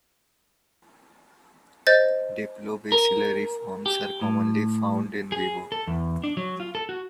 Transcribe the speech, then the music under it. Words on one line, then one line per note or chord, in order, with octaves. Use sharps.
Diplobacillary forms are commonly found "in vivo".
C5 D#5 G6 A6
A#4
G4
A2
G#4
A4
E2
D4
F#3
F4
A4
F#4